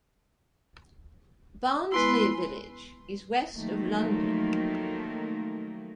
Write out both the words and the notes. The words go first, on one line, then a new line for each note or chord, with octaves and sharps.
Barnsley village is west of London.
G#3 B3 E4 B4 C6
D#3 F3 F#3 A3 A#3